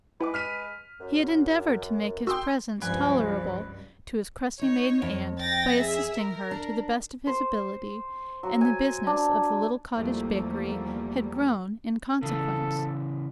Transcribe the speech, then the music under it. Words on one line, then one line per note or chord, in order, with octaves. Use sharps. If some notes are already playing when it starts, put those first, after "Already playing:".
He had endeavoured to make his presence tolerable to his crusty maiden aunt by assisting her to the best of his ability, and the business of the little cottage bakery had grown in consequence.
G#3 E4 B4 G5 D6
F6 B6 D#7
F#2
F#4 G5 C6 D#6 E6
C#2 G2 F3 B4 G#5
D#4 C#5
F2
G5 A6 A#6
G#4 E5
A#4
D4
C5
F#3
G#5
D4
E2 F3 G3 A3 A#3
C#3 E3 A4